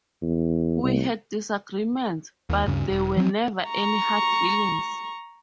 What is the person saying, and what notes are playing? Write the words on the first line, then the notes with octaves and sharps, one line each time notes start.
We had disagreements, but there were never any hard feelings.
E2
C2
D#2
D2 G2 C#3
E1
F3 F#3 B3 C4
A#5 C#6